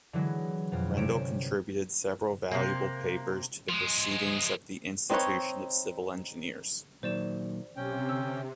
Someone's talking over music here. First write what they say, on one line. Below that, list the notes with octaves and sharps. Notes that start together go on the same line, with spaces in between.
Rendel contributed several valuable papers to the 'Proceedings' of the Institution of Civil Engineers.
D3 E3 F#3 G#3
F2 B2
G1 C3 C#4 C#5 D7 E7
C3 A#3
F3 G#3
C4 D#4 G#4 B4 C#5
A#2 D#3 F#3 C5 D5 E7
B1 C3 C#4 G5
D3 E6